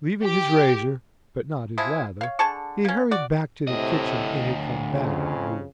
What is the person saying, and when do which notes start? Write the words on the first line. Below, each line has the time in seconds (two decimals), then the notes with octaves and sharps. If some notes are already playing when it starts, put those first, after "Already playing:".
Leaving his razor, but not his lather, he hurried back to the kitchen in a combative mood.
0.23 G4
1.78 F3 G#3 E4 G#4
2.21 C#5 F5
2.39 D3 G#4 A5 C#6
2.85 A#3 C#4
3.11 F#4 D5
3.67 D2 A2 C3 D#5
4.92 F2 C#3